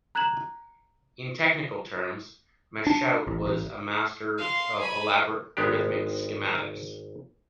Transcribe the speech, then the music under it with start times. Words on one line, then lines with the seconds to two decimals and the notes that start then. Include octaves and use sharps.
In technical terms, Machaut was a master of elaborate rhythmic schematics.
0.15 A#5 F#6 G#6 E7 F#7
2.87 D4
3.27 A1
3.46 A1
4.37 F5 C6
4.78 G#5 B5
5.57 G#1 G#3 B3 D4 G4